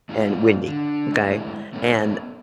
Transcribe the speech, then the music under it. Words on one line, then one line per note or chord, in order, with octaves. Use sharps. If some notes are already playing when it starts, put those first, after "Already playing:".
and windy. Okay? And,
G#3 D#4 F4 G#4 F5
D3
G#3 A3 E4 G4
A3 B3 C#4 D#4 A4